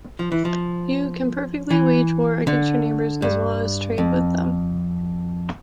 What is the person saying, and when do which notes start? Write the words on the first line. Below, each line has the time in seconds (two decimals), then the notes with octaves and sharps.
You can perfectly wage war against your neighbors as well as trade with them.
0.19 F3
0.32 E3
0.45 F3
1.70 E3
2.47 D3
3.22 G2
3.98 F2